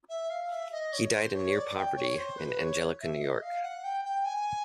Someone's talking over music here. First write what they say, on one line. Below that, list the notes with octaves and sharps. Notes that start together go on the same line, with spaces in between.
He died in near-poverty in Angelica, New York.
E5
F5
E5
D#5
C#5
C5
C#5
D5
G5
C#5
C5
B4
C#5
E5
D#5
F5
F#5
G5
G5
G#5